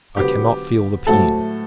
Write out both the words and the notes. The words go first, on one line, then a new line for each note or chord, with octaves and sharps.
I cannot feel the pen.
D3 F#3 B3 G4
A2 F#3 A3 A4